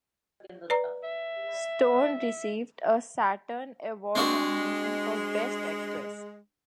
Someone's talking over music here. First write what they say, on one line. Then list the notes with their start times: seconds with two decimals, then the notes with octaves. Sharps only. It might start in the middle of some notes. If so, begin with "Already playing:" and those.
Stone received a Saturn Award nomination for Best Actress.
0.70 B4 D5 A#5
1.03 E5
4.15 G#3 C4 D4 F#4